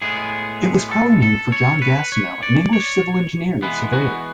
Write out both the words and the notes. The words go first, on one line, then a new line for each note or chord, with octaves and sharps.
It was probably named for John Gastineau, an English Civil Engineer and Surveyor.
A2 G#3 B3 G#4
A4
A4
C#5
B4
C#5
D5
C#5
E3 G#3 B3 B4
F#4